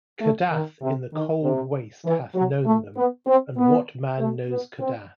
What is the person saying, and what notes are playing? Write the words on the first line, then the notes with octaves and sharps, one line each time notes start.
Kadath in the cold waste hath known Them, and what man knows Kadath?
A3
D#3
C3
D#3
C3
E3
F#3
A3
B3
C4
B3
A3
B3
C4